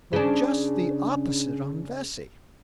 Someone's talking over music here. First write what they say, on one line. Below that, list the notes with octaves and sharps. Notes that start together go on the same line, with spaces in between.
But just the opposite on Vesey.
C#3 D4